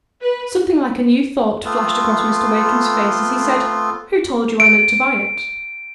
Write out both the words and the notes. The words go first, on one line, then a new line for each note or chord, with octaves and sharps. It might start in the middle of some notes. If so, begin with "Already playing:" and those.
Something like a new thought flashed across Mr. Wakem's face as he said, "Who told you I meant to buy it?"
B4
A3 B3 C4 F4
D7